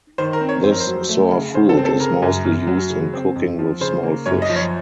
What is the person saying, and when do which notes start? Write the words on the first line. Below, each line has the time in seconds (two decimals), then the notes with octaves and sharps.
This sour fruit is mostly used in cooking with small fish.
0.18 D#3 C5
0.33 A#4
0.41 C4
0.49 C#5
0.63 F2 C5
0.72 A#4
0.80 C5
0.87 F#3
1.09 A3
1.31 C#3
1.54 C#3 C5
1.69 A4
1.77 C4
1.85 A4
2.00 C#3 A#4
2.22 F#2
2.45 F#2
2.67 F#3
2.90 C#3
3.13 C4
3.35 F2
3.59 F3
3.81 C#3 C5
4.03 A#3
4.26 F#2 C#5
4.42 D#5
4.49 F3
4.56 C#5